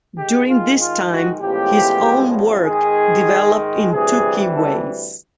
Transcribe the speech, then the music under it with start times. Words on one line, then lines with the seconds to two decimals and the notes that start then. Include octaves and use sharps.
During this time his own work developed in two key ways.
0.16 G#2 D#3 G#3 G4
0.48 F4
0.79 F4
1.10 F#4
1.41 A1 A2 F3 G#3 B3 G4
2.66 G#2 D#3 G#3 G#4
3.92 D2 C3 E3 G3 G#4
4.53 A4